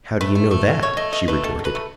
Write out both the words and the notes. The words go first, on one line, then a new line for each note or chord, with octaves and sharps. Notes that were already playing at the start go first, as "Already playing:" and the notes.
"How do you know that?" she retorted.
A3 B4
A3
A3
A3
B2 C#5
A3 D#5
B2 D#5
A3 B4
B2 A4
F#3
B4
A3